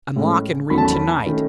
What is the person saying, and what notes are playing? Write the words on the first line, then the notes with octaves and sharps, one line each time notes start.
"Unlock and read to-night."
A2 G#3 C#4
E2 D#3 F#3 A3 C#4 B5
A5
B5
D#3 A3 C#4